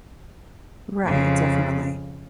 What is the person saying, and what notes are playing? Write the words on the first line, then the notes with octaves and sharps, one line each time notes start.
Right, definitely,
F2 C#3